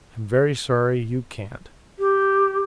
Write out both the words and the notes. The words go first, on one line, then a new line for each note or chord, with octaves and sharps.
"I am very sorry you can't."
G4